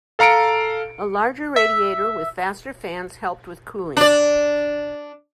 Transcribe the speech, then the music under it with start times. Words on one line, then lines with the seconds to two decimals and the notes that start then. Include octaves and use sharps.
A larger radiator with faster fans helped with cooling.
0.19 A4 F5 A#5 C#7 D7
1.56 E5
3.97 D4 D5